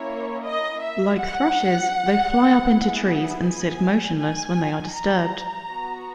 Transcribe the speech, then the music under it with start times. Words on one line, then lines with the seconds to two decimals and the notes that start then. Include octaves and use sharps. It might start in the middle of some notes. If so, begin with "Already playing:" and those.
Like thrushes, they fly up into trees and sit motionless when they are disturbed.
Already playing: A#3 C#4 E4 C#5
0.45 D#5
0.82 E5
1.19 F#5
2.69 B3 E4 G#4
3.44 G#5
4.18 G#5
4.94 A#5
5.68 B3 F#4